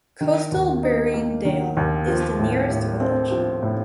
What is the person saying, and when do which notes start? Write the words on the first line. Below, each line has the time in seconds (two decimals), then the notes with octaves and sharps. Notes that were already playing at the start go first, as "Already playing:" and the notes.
Coastal Berriedale is the nearest village.
0.21 D#3
0.52 D#2
0.83 D#4
1.14 A#3
1.45 D#3
1.77 D#2
2.08 F3
2.39 A2
2.70 A2
3.00 C4
3.31 F3
3.62 A2